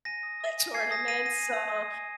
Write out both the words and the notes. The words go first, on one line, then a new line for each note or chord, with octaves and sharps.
tournament, so
G#5 A#6 D#7
D#6
D#6
G#5
G#5 G#6 C7
D#6 A#6
D#6 A#6 D#7
G#5 A#6 D#7
G#5
D#6
D#6
G#5